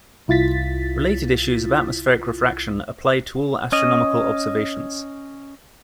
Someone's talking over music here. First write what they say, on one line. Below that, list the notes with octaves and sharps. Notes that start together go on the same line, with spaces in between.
Related issues of atmospheric refraction applied to all astronomical observations.
C2 E4 F4 A6 B6
C#4 D#5